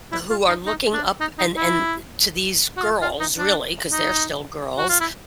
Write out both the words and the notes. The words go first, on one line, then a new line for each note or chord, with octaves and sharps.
who are looking up and and to these girls, really, 'cause they're still girls,
E4
F4
D#4
D#4
D4
D#4
D#4
E4
F#4
F4
F4
D#4
D4
D#4
F#4
F4
E4